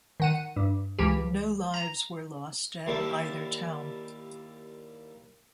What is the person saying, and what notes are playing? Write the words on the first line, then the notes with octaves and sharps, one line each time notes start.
No lives were lost at either town.
D#3 F#5 D#7
G2
C#2 E3 G4
A#5
D#2 G3 A#3 E4 A5